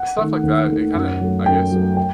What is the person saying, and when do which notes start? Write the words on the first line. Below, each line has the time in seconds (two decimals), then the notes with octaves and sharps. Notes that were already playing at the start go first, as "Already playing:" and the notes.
stuff like that, it kinda, I guess,
Already playing: F#5
0.18 D#3 A3
0.43 D#2
0.69 D#3 A3
0.95 F#2
1.21 F#3 A3
1.46 F#2 G5
1.72 F#3 A3
1.97 G5